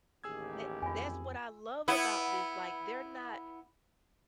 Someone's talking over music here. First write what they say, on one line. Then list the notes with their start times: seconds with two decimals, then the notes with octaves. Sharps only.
That that's what I love about this, like, they're not,
0.24 A1 D#2 G4 G#4 E6 G#6
0.82 F2 F4 G#5
1.88 B3 E4